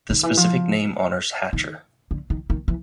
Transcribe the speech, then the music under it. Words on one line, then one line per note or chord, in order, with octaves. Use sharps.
The specific name honors Hatcher.
D#3
E3
F3
D#3
D3
D#3
D#3
E3